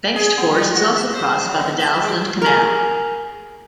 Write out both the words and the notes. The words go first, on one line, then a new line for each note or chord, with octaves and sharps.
Bengtsfors is also crossed by the Dalsland Canal.
G#4
B3
G3
F#4
E5
C5
F#3
B3
E5
G#3
G#4 A#4